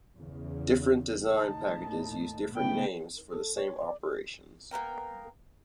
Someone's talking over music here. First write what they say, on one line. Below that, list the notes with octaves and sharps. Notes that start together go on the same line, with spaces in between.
Different design packages use different names for the same operations.
E2 C#3
D#2 A2 D#4 A5
C#3 A3 B3 G5
A4
C#5
D5
A#3 B3 A#4 G5